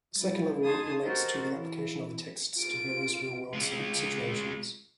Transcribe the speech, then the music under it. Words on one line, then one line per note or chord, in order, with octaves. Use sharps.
The second level relates to the application of the texts to various real-world situations.
G3 E4
D#4 G#4 G#5 A5 C6 D#6
F#4 G4 A4 A#4 C5 D#5
E3 E4
F4 D7
G#3 F4